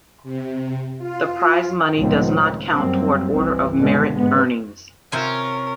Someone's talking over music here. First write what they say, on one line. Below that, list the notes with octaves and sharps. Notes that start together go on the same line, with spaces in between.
The prize money does not count toward Order of Merit earnings.
C3
F4
C#2 A2 D#3 F3 B3 C4
F#2 F#3 G3 A#3 C4
G1 C2 E3 C4
G2 B2 D3 D#3 G3 G#3
G#2 G#3 B3
C3 C#4 F4 A#4 C5 G#5